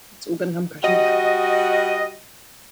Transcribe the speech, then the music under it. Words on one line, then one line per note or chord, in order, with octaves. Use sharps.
It's all going to come crashing down.
G3 F#4 D#5